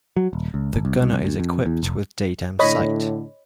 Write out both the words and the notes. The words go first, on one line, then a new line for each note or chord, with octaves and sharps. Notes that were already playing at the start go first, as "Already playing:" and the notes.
The gunner is equipped with daytime sight.
F#3
D#1
C#2
G1
C2
C2
D2
F2
E2
F1
A2 D3 C#5 D#5 B5